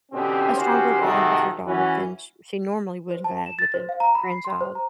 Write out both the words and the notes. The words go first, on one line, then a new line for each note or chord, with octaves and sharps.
a stronger bond with your daughter than sh she normally would've had with a grandchild.
B2 D3 E3 C4 C#4 G4
D#3 C#4 F#4 G4 C5
C3 D#3 F3 G#3 F#4 A4
E3 C#4 F#4
C5
A5
E7
A6
C5
F5
A#5
B5
C7
C6
C5
A#5